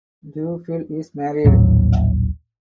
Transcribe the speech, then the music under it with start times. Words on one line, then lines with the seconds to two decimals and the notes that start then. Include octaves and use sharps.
Duffield is married.
1.45 A#1 D#2 A2 F#3